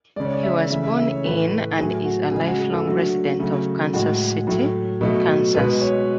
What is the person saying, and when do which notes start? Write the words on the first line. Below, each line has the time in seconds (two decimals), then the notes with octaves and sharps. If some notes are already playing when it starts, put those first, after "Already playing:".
He was born in, and is a lifelong resident of, Kansas City, Kansas.
0.16 C#3 G#3 D5
0.25 C#5
0.33 D5
0.43 E5
0.70 C#3 E3 A3 E5
0.84 E5
0.98 E5
1.11 C#5
1.24 A2 E3 A3 B4
1.78 A2 F#3 A3 G#4
2.05 F#4
2.31 C#3 G#3 G#4
2.47 F#4
2.59 G#4
2.72 A4
2.85 D3 F#3 A3 F#4
3.39 C#3 F#3 A3
3.93 A2 G#3 F#4
4.47 A2 F#3 A3
5.01 B2 F#3 A3
5.55 B2 G#3 B4
5.81 C#5